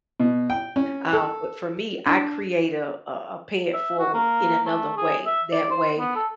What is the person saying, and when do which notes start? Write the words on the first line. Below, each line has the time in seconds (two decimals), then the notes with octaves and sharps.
um, but for me, I create a a a pay-it-forward, in another way. That way,
0.20 B2
0.50 G5
0.76 C#4
1.13 A4
2.06 D4
3.73 E5
3.99 F#4
4.14 A#3
4.66 A3
4.97 G#4
5.26 E5
5.52 D5
5.71 C5
5.99 B3
6.16 A4